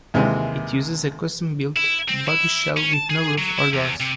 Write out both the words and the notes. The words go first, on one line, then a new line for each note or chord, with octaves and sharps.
It uses a custom built bodyshell with no roof or doors.
D#2 C3 E3 G#3
E4
C4
E4
C#4
A5
G#4
F#3
E4
E2
C3